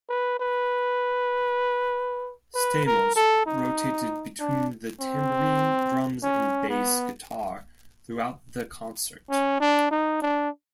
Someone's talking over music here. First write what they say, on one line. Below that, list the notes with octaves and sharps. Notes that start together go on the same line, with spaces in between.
Stamos rotated between the tambourine, drums, and bass guitar throughout the concert.
B4
B4
B4
A#4
A4
D#4
D4
C4
C#4
B3
C#4
D4
D#4
D4